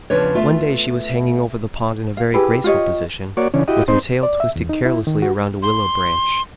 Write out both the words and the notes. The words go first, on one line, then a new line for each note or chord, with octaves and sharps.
One day she was hanging over the pond in a very graceful position, with her tail twisted carelessly around a willow branch.
E2 C#3 F3 D4 B4 C#5
A3 B3 F4 E5
F5
E4 G4 G#4 B4
F4 G4 C#5 D#5
A#3 F#4 C#5 D5
C#3 E3 C#4 D4
E4 F#4 G4 D#5
C4 D#4 C5
D5
E5
E2
D#4
E4
D#3
F#4
C6